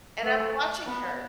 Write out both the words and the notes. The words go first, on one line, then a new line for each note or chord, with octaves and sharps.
And I'm watching her
A3
B3